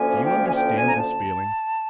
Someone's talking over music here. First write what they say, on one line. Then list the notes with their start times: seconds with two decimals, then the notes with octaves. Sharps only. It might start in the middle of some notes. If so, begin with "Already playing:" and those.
Do you understand this feeling?
Already playing: D2 D3 F3 A#3 C#4 G#5
0.23 G5
0.47 G#5
0.54 G5
0.74 G#5
0.86 A#5
0.95 A5